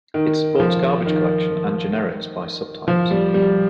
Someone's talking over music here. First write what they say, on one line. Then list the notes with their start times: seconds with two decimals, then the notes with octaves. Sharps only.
It supports garbage collection and generics by subtypes.
0.14 D#3
0.60 F3
1.06 D#3
2.88 F3
3.11 G3
3.34 G3